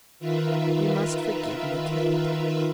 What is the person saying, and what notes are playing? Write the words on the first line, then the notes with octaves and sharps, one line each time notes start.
You must forgive me, Kate.
D#3 F4 A#4 B4 E5